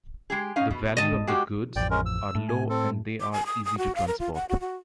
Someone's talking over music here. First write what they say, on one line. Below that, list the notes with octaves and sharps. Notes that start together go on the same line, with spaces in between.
The value of the goods are low and they are easy to transport.
G#3 G4 G#4
C#4 D#4 F5
B2
G#2 D#5 A5
G#3 F#4 G4 D6
A1 F2 D5 G5
G#3 C#4 A#4
E6
A2
G#5
C4 A4
D6
G#5
D#6
D#6
F#4
F5
A#4
F4
F#5
F#4
F#4